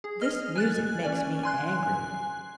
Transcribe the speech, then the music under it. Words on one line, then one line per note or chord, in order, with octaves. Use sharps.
This music makes me angry.
G#4
D#5 F6
G#5 F#6 A6
C#4 D5 G#5
G#5 C6 F#6